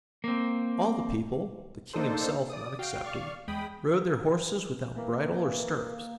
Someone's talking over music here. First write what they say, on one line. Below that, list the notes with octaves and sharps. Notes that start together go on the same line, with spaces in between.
All the people, the king himself not excepted, rode their horses without bridle or stirrups.
A#3 C4
A#3 D4 D#4 A4 C5
D5 D#6
F#4 F5 G5
D5 F5 C#6 F6
E2 G#3 G5 B5 D#6
E3 A#3